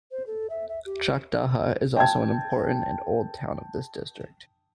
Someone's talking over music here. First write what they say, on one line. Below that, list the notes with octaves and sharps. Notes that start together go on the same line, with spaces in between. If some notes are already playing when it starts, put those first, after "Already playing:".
Chakdaha is also an important and old town of this district.
C5
A4
E5
E5
G4
G5 A5 G#6